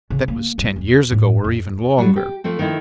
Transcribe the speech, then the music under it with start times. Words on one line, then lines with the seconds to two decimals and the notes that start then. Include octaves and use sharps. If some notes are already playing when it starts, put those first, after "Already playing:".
That was ten years ago or even longer.
0.10 C#3
0.28 A#3
0.58 G2
0.76 E2
1.12 A2
1.44 F2
1.98 F#3 G3
2.16 G4
2.44 F3 A3 C4
2.59 D#3 F3 A3 E4